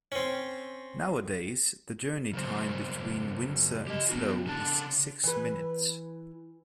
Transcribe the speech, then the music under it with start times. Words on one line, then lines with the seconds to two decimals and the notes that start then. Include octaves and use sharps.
Nowadays, the journey time between Windsor and Slough is six minutes.
0.12 C4 C#4
2.33 C#3 F#3 C5
3.87 G4 D#5
4.09 B3 D4 F#4
4.46 C#3 D4 A5
5.23 E3 B4